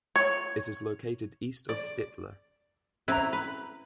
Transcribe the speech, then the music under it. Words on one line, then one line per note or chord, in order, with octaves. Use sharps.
It is located east of Stettler.
C#5
D5
C4 C#4 E4 B4 A#5
B4 B5